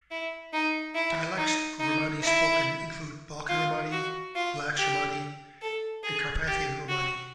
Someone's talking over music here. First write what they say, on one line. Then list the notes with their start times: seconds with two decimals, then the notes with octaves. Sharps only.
Dialects of Romani spoken include Balkan Romani, Vlax Romani, and Carpathian Romani.
0.11 E4
0.53 D#4
0.95 E4
1.38 D#4
1.80 D#4
2.23 E4
3.49 F4
3.92 F#4
4.35 F4
4.77 G4
5.62 A4
6.04 G#4
6.47 G4
6.89 F#4